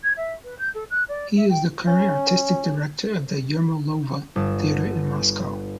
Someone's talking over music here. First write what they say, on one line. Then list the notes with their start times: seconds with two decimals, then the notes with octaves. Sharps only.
He is the current artistic director of the Yermolova Theatre in Moscow.
0.03 G#6
0.17 E5
0.44 B4
0.59 G6
0.74 A4
0.90 F#6
1.09 D5
1.37 E5
1.50 G5
1.87 C#4
4.36 G1 E7